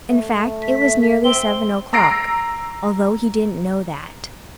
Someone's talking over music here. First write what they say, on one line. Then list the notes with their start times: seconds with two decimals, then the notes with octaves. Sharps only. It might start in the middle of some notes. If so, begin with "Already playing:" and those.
In fact, it was nearly seven o'clock, although he didn't know that.
0.10 A3
0.62 B6
1.24 C4 G7
1.93 A#5 E6 A#6 C7 D7